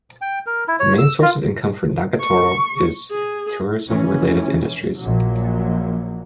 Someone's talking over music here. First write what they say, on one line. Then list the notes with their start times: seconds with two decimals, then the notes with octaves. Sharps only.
The main source of income for Nagatoro is tourism-related industries.
0.21 G5
0.46 A#4
0.68 E4
0.80 C#5
0.98 E6
1.22 F4
2.21 C#6
3.11 G#4
3.88 F1 E3 C#4
4.99 A#1 A#2 F#3